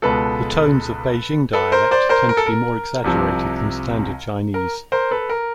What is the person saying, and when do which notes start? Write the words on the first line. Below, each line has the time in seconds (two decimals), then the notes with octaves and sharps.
The tones of Beijing dialect tend to be more exaggerated than Standard Chinese.
0.02 C#2 B2 G#3 A4 B4
1.53 A4 B4
1.72 A#4 C5
1.91 C5 D5
2.09 A#4 C5
2.29 A#4
2.37 A4
2.46 A#4
3.04 C2 C3 F3
4.54 A#4
4.92 A#4 C5
5.11 A4 B4
5.30 A#4